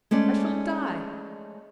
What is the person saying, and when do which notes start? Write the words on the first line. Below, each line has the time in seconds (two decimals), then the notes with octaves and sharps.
I shall die!
0.11 G#3 A3 C#4 D5